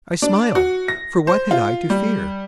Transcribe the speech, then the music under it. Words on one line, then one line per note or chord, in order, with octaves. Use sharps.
I smiled,--for what had I to fear?
D4
F#4
A#6
C5
F4
G3